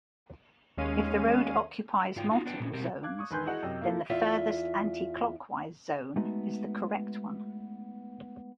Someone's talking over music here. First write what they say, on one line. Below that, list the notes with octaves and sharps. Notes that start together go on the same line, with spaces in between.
If the road occupies multiple zones, then the furthest-anticlockwise zone is the correct one.
D#2 G#3 C#4 F5 D#7
G#2 F4 D5 G5
D#4 F4 F#4
B3 D4 B4 G5
A#2 A3 C#4
B2 C4 G4 A#4
F5 D6 F#6 G#6
C#6 D#6
E1 D#3 B4 G#5 C6 G6
E4 F#4 G#4 D#5 F#5
F#2 C3 D#5 G5
A#3 E4 A4
E2 F4 E5
G#3 A3 B3 D#4 F#4